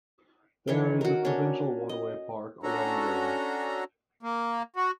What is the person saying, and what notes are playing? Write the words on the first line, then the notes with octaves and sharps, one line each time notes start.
There is a provincial waterway park along the river.
D#3 E3 C#5
F#4 A#4
C#4 D4
D#5
C#4 D4 F#4 A4 A#5
A#3
F#4